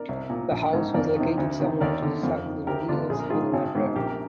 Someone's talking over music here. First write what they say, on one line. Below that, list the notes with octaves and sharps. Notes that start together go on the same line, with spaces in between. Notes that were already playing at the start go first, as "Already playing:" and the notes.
The house was located somewhere to the south of the Wheelers Hill Library.
Already playing: A#4 D5
C2
A#2
A#1
G#2 D#3
F2 A#4 D5
C3 D#3
D2
C3 D#3
D#2 A#4 D5
D3
F2
D#3
D2 G4 A#4
D3 D4 F4
A#1 G#4
A#4
G#2 D#3 F4 G#4
G#1
G#2 D#3
A#1 G4 A#4
A#4